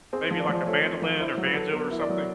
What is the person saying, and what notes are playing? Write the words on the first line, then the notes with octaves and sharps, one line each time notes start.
maybe, like, a mandolin or banjo or something.
C4 G#4
F3
D5
F3
A3 C#5
C4
F3
E4 C5
F#3
B4
A4
B3 A#4
E4
D5
F#3